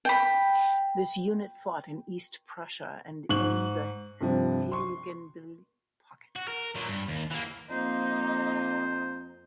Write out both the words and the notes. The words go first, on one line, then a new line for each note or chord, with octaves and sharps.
This unit fought in East Prussia and in the Heiligenbeil Pocket.
G5 B5
G#2 C#6 F#6 F#7
G2 C3 F3
C6 C#6
F#4
A#4
A#2 F#3
G2
D#2
E3 A#3
F2 A#3 D#4 C5